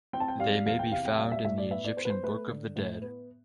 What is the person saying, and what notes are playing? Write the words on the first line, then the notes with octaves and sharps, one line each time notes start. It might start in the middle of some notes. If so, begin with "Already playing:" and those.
They may be found in the Egyptian book of the dead.
C4 G5
A5
G5
G3 F5
E2 F5
G5
C3 F5
G5
G3 F5
E5
A2 E5
D5
B3 E5
D5
B3 C5
B4
C5
A3 B4
D3
A2
B3